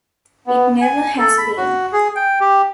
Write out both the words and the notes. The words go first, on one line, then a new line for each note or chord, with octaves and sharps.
It never has been.
B3
G#5
A4
B5
F#4
G#4
G5
G4